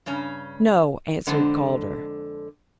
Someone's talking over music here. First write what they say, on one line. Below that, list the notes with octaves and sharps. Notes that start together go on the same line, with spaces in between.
"No," answered Calder.
G2 C#3 C#4 A#5
F2 D3 G#3 D4 C5 F#5